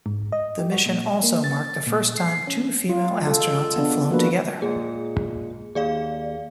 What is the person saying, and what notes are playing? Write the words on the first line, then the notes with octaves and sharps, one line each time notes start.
The mission also marked the first time two female astronauts had flown together.
G#2
D#5
G4
F#4
A#2
A#3
A6
A#2
C7
C#4
F4
G#3 A4
B3 D4
F3 A#3 F#4 B4
A#2 G#3 G#4
D#2 G#4 D5 F5